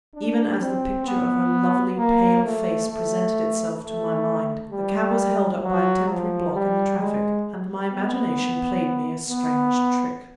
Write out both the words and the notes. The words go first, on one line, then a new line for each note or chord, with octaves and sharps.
Even as the picture of her lovely, pale face presented itself to my mind, the cab was held up by a temporary block in the traffic--and my imagination played me a strange trick.
D4
C4
B3
A#3
A3
A3
A3
G3
F#3
F3
G3
G#3
B3
B3